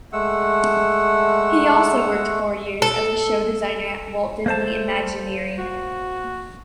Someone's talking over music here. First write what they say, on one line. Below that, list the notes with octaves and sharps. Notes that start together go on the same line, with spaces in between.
He also worked four years as a Show Designer at Walt Disney Imagineering.
G#3 A3 F#5 E6
A4
A3 A#3 C5 A5
F#4